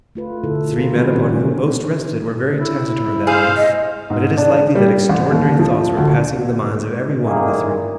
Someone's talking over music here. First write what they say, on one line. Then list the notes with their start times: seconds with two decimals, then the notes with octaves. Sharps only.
The three men upon whom most rested were very taciturn that night, but it is likely that extraordinary thoughts were passing in the minds of every one of the three.
0.15 A3 F4 B4
0.44 B2 D3 A3 E4 A4
0.71 F4 G#4 A#4
0.94 D#3 E3 G3 B3 F#4 B4
1.12 A#3 C#4 G4
1.29 G3 A3 D4
2.60 E4
3.27 G#4 C5 F5
3.57 D#5
4.10 G#2
4.37 D4
4.75 G3
5.09 A1
5.31 D#2
5.59 F3
5.97 D2
7.24 A1 A#2 D#3 A#3 E4 G#4